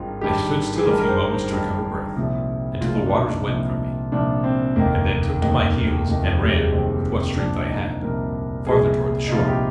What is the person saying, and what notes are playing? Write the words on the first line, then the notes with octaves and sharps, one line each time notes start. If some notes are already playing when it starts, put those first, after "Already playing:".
I stood still a few moments to recover breath, and till the waters went from me, and then took to my heels and ran with what strength I had farther toward the shore.
Already playing: G#1 G2 D#3 F4
G#1 G2 D#3 G4
G#4
G#1 G2 D#3 A#4
A#4
C5
C5
G#1 G2 D#3
C2 A#2 F3
C2 A#2 F3 F4
D#4
D4
D#4
C2 A#2 F3
C2 A#2 F3 D4
C4
F1 D#2 D#3 A#3
F1 D#2 D#3
F1 D#2 D#3
F3
G3
G#3
F1 D#2 D#3 C4
C2 A#2 F3 D4
D#4
C2 A#2 F3 A#4
C2 A#2 F3 G#4
D#4
C2 A#2 F3 F4
G4